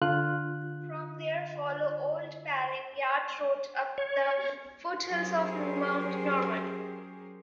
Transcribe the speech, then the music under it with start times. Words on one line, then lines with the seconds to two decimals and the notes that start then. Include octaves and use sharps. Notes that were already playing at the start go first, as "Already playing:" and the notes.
From there follow Old Paling Yard Road up the foot hills of Mount Norman.
0.02 D3 F4 F#6
3.98 C#5
5.05 F#3 C#4 G4 G#4 A#4 C5